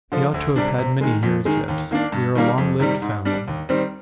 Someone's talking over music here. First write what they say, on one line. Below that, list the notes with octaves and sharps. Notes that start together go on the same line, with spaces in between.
"He ought to have had many years yet. We are a long-lived family."
D3 F3
D2
C3 G3 D4
C3
D#3 G#3
F2
D#3 G#3
D#2
D#3 A#3 D4
G2
D#3 G3 A#3
F2
C3 D#3 G3
G#2
G3 D4
D#2
D#3 G3 C4